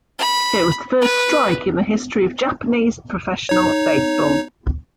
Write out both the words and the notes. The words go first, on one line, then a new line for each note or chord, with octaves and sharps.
It was the first strike in the history of Japanese professional baseball.
B5
B4
D#4 C#5